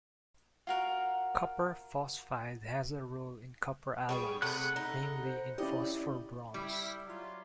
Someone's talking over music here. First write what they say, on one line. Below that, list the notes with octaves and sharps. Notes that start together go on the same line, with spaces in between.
Copper phosphide has a role in copper alloys, namely in phosphor bronze.
F4 F#4 A#4
G3 B3 G#4 C#6
C3 A3 G#4 A4 F#5 B5 F#6
D#4
C5
C#4 E4 G4 D5 D#5
G3 E4
F#3 F4